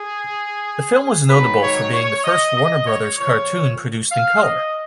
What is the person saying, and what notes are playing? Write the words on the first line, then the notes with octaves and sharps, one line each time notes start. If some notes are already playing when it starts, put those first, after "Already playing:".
The film is notable for being the first Warner Brothers cartoon produced in color.
Already playing: G#4
G#2 D#3 F#3 B4
C#5
C#5
D#5
D#5
C#5
A#2 F3 C#5
F5
D#5